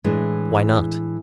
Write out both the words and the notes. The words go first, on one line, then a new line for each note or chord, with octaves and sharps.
Why not?
A2 E3 G#3 D4